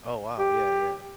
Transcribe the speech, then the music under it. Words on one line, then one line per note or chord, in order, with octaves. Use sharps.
Oh, wow, yeah, yeah.
G4